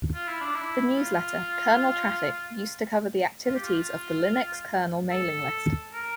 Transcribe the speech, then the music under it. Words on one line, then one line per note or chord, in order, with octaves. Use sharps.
The newsletter "Kernel Traffic" used to cover the activities of the Linux-kernel mailing list.
F4
E4
D4
E4
F4
F4
G4
F4
A4
A#4